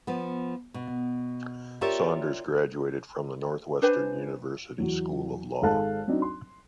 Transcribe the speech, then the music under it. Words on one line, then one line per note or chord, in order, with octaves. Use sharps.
Saunders graduated from the Northwestern University School of Law.
F3 B3
B2
F4 G4 A#4 C#5 D5 E5
D4 B4 C5 G#5
E2 F#3
G#1 G#3 A4 F5 A5 F#6
F#3 C4 D4 D#4
C6